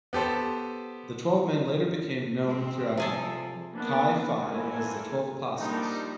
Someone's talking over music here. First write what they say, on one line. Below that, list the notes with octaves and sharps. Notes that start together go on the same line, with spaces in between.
The twelve men later became known throughout Chi Phi as the "Twelve Apostles".
B3 G4 A4 C5
G#3 C4
C3 F3 G3 G#4 A4
A#3 B3 D4
E3 A#3 C4 A4 G#5
F3 G3 A#3 D4 D#4 G4